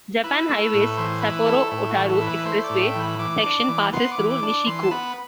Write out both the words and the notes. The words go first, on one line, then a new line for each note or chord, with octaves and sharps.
Japan Highway's Sapporo-Otaru expressway section passes through Nishi-ku.
E4 B4
A3
A2
E3 C5
E4 B4
A3 A4
A2 E4
F#4
E3
A4
E4
B4
A3 C5
D5
A2
G5
E3
B5
E3 D6
D4
E3
B3 C6
D6
E3
D6
D4 D6
E3 C6
A5
B3 B5